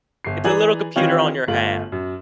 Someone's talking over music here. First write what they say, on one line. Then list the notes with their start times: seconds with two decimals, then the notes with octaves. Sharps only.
It's a little computer on your hand,
0.24 G1 C7
0.44 E3 G#4 D5 G#5 A#5 F#7
0.96 D#3 E3 C4 F4 G4 C#5
1.47 G1 A3 F4 F#7
1.92 F#2